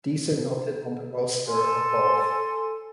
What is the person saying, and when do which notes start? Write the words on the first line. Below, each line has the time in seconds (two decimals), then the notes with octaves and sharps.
These are noted on the roster above.
1.46 A4 G#5 C6